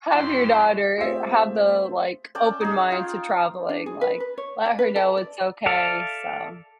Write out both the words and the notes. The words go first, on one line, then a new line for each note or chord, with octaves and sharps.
have your daughter have the, like, open mind to traveling, like, let her know it's okay, so
F#2 C4 E4 C6
A3 C4 F4 G4 G#4 E5
C#4 D5 G5 A5
D#4 G#4
F4 G5
D4
G#4
B4
B4
C#5
D5
B4
A4
D5
A4 D5 E5 F5